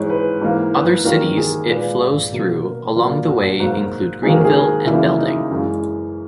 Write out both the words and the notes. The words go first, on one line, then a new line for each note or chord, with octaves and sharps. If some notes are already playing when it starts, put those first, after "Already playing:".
Other cities it flows through along the way include Greenville and Belding.
Already playing: G#2 E3 G#3 C#5
B4
G#2 E3 A#3
B4
E2 D#3 F#3 A#3 A#4
G#4
A#2 G#3 B4
B2 F#3 A#3
A#4
A#2 F#3 A#3
F#4
G#2 F#3 A#3
G#2 D#3 F#3 A#3 G#4
A#4
G#4
A#4
E2 C#3 F#3 A#3 E4
D#4
F#2 E3 G#3